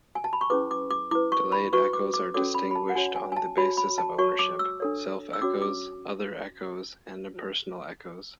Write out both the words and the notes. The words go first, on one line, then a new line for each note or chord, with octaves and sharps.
Delayed echos are distinguished on the basis of ownership: self-echos, other-echos, and impersonal echos.
G#5
A5
B5
C#6
C#4 E4 G#4 B4 D6
D6
D6
E4 B4 D6
C#6
B5
F#4 B4 C#6
D6
D6
C#4 F#4 A4 C#5 D6
B5
B5
A5
F#5
F#4 C#5 G#5
G#5
G#5
A5
F#4 C#5 B5
B5
A5
F#4 C#5 C#6
D6
E6
D4 A4 C#5
E6
C#4 F#4 C#5 D6
D6